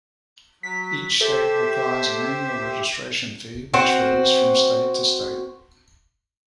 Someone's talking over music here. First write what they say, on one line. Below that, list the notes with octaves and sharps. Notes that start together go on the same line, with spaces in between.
Each state requires an annual registration fee which varies from state to state.
F#3 B6
G4 A4 C5 E5
C4 F#4 C5